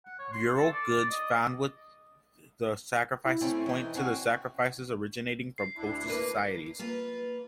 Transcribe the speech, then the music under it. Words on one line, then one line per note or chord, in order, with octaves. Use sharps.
Burial goods found with the sacrifices point to the sacrifices originating from coastal societies.
F#5
C#5
C6
A4
D5
D#5
E4
A3 C4 C#4
E3 D#4
C4 C#4 F#4
C7
D2 D4 E4
A#3 A#4 B4
A#3 F4 B4